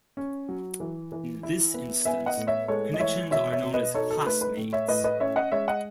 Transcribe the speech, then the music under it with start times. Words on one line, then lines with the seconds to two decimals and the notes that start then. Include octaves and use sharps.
In this instance, connections are known as "classmates".
0.17 C#4
0.49 F#3
0.80 E3
1.12 E3
1.43 E4
1.74 B3
2.05 B3 E5 G#5
2.26 D#5 F#5
2.37 A2
2.47 C#5 E5
2.68 G#3 A4 C#5
2.94 D#5
2.99 E3 C#5 E5
3.31 B2 C#5 E5
3.52 C#5 E5
3.63 B2
3.74 B4 D#5
3.94 D#4 A4 C#5
4.10 A4
4.26 A3 B4
4.41 B4
4.57 A2
4.73 C#5 E5
4.88 A2 B4 D#5
5.04 B4 D#5
5.20 C#4 C#5 E5
5.36 D#5 F#5
5.52 G#3 C#5 E5
5.68 D#5 F#5